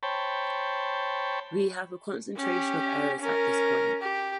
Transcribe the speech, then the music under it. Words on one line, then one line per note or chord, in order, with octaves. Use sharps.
We have a concentration of errors at this point.
C5 C#5 G5 A5 B5
C#4 G4
C#4 A#4
G4